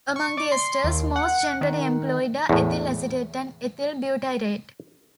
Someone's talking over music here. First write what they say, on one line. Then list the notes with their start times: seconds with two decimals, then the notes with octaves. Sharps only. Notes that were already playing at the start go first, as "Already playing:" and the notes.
Among the esters most generally employed are ethyl acetate and ethyl butyrate.
0.16 C#6
0.37 D5
0.52 C6
0.84 D#2
1.16 F#5
1.61 D#3
2.50 E2 A2